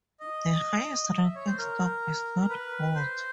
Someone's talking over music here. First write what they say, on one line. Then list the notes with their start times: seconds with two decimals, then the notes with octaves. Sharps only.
The highest ranking stock is not bought.
0.20 D#5
1.11 D#5
1.23 E5
1.35 C#5
1.47 C5
1.58 A#4
2.49 B4
2.95 C5